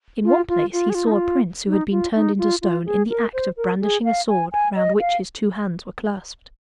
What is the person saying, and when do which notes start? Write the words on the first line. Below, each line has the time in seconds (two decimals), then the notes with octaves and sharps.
In one place he saw a prince who had been turned into stone in the act of brandishing a sword round which his two hands were clasped.
0.25 F4
0.49 F4
0.73 F4
0.90 G#4
0.95 F4
1.07 D#4
1.12 F4
1.67 D#4
1.91 F4
2.15 D#4
2.38 F4
2.62 F4
2.86 G#4
3.10 A#4
3.33 C5
3.57 A#4
3.81 G#4
4.05 F5
4.28 G#5
4.52 G#5
4.76 D#5
5.00 F5